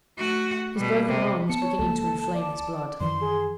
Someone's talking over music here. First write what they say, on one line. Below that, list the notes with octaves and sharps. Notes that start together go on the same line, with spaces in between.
His broken arm was beginning to inflame his blood.
A3 F#4
B2 G3
C3
B3 A5 C#7
C#5
C#2 A#3 A4
D5
F#2 D#3 E3 C6
G#4